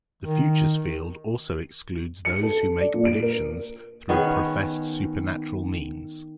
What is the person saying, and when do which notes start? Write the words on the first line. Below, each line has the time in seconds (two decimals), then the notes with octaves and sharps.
The futures field also excludes those who make future predictions through professed supernatural means.
0.22 D#3
2.25 C#7
2.43 A4
2.80 D5
2.94 A#2
3.05 D7
3.23 A#4
4.09 D#3 B3 C#4 G#4